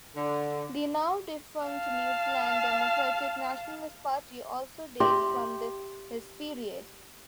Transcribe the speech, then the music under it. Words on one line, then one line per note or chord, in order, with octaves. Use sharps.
The now-defunct New Zealand Democratic Nationalist Party also dates from this time period.
D3
F5 A5
G4 E5 C6 D6